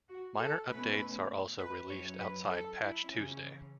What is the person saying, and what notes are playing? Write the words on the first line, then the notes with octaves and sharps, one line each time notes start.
Minor updates are also released outside Patch Tuesday.
F#4
A4
B2 A3 C#4 E4 B4
B4
F#2 F#3 C#4 C#5
B4
A4
E4
C#3 E3 C#4